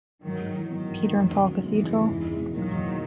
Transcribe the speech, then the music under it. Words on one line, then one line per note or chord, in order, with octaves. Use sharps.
Peter and Paul Cathedral.
G#2 D#3 F#3
G#2
E3
D#3 F#3 B3
G#2
G#2
D#4
C#3
F#3
E3 G#3 B3
D#4
C#3
E2
E2
B2
D#3 F#3 A#3
E2